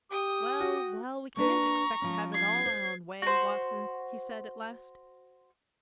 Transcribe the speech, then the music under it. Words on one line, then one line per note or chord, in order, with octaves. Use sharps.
"Well, well, we can't expect to have it all our own way, Watson," he said, at last.
G4 G5 D#6
F#4
A#3 D4 B4 A#5 C#6
F3 C#4
G#6 C7
C5
F#4 C5